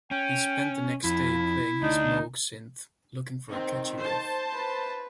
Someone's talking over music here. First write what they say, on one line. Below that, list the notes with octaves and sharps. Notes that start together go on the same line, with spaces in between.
He spent the next day playing his Moog synth looking for a catchy riff.
C#4 G5
F2 E4
D2 D4 D#4
D#3 C4
C5 A5
B4